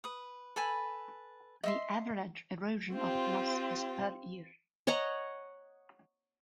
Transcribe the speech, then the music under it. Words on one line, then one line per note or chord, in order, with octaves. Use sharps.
The average erosion of bluffs is per year.
B4 D#6
A4 B4 G#5 B5
D#5 E5 C6
C4 F4 G4
C#5 D#5 F#5 A#5